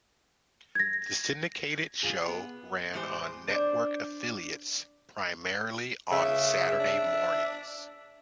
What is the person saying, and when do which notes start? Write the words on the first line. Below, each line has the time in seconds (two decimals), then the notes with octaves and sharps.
The syndicated show ran on network affiliates, primarily on Saturday mornings.
0.75 G#6 A#6
2.03 F4 G#4
2.28 B3
2.93 A2 E3 G#3 G4 C5
3.48 D4 C5
6.11 C#3 E5
6.80 D4